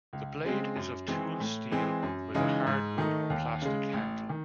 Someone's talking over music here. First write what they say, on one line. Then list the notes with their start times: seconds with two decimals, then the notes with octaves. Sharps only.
The blade is of tool steel with a hardwood or plastic handle.
0.13 C#2
0.44 C#3 G#3 C4
0.76 F#2
1.08 E3 G#3 C4
1.40 A2
1.71 E3 G#3 C4
2.03 F#2
2.35 C#3 E3 G#3 D#4
2.67 G#2
2.98 D#3 A3 D#4
3.30 D#2
3.62 C#3 G#3
3.93 A1
4.29 D#3